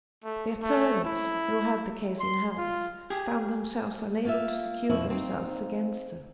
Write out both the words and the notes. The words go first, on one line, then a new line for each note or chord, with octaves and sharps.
The attornies who had the case in hands, found themselves unable to secure themselves against her.
A3
A3
E4
C6
F4
G4 G#4
A#3 F4 E5
F2 B2 E4
A#3 C4 C#4 D#4